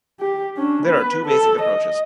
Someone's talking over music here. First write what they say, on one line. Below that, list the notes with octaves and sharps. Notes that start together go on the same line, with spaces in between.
There are two basic approaches.
G4
C#4 D4
B3 B4
A4
D#5